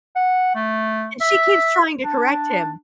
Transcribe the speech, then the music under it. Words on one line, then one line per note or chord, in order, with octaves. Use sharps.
And she keeps trying to correct him,
F#5
A3
E5
D4